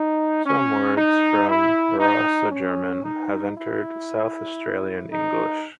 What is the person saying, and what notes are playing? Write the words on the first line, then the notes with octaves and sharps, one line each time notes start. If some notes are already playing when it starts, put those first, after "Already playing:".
Some words from Barossa German have entered South Australian English.
Already playing: D#4
C#4
D#4
E4
D#4
C#4
D#4
E4
D#4